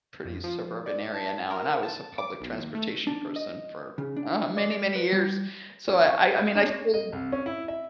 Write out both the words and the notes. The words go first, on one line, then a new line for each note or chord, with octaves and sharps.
pretty suburban area now and I was a public transportation person for, uh, many, many years. So I I I mean, I still
F2
F3
D5
A5
A#4
A5
D6
B1
D#2
A3
D4
D#5
C#3
D4
D5
B4
G3
C#4
C#6
B5
D4
C#5
D#5
C2
C#4
E4
E5